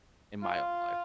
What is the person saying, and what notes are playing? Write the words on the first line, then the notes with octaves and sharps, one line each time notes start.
in my own life.
F4